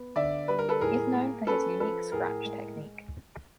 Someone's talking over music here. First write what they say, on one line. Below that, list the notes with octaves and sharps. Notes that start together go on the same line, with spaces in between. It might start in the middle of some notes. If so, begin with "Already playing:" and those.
He is known for his unique Scratch technique.
Already playing: B3
D3 D5 E5
G3 B4
A#4
A4 B4
A2 G#4 A#4
A#3
C#4 A4 B4
F3 A4 B4
A2 G#4 A#4
G#3